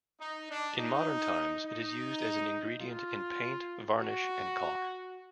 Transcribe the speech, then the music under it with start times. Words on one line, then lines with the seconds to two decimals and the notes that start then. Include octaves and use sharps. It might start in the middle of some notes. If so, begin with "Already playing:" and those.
In modern times, it is used as an ingredient in paint, varnish, and caulk.
0.18 D#4
0.48 D4
0.77 D#4
1.65 D#4
2.80 F4
3.97 F#4